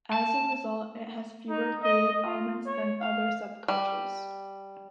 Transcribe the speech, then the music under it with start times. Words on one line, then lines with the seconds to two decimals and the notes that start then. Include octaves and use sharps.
As a result, it has fewer creative elements than other subcultures.
0.13 A5
1.49 D#4
1.83 D#5
2.25 F4
2.66 C#5
3.01 F5
3.68 G3